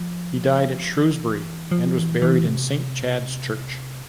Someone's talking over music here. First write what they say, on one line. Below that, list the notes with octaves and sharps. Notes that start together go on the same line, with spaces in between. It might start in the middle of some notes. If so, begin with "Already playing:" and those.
He died at Shrewsbury, and was buried in Saint Chad's Church.
Already playing: F3
E3
F3
E3
E3
C3